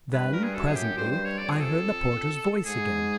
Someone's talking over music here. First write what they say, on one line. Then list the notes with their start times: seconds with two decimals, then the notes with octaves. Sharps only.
Then presently I heard the porter's voice again.
0.12 G2 B4
0.33 A#4
0.44 G#4
0.54 F#2 A4
0.66 G#4
0.76 G4
0.97 G2 C5
1.11 C5
1.25 C#5
1.38 F2 D5
1.50 G#4
1.60 A4
2.65 G#2 G#4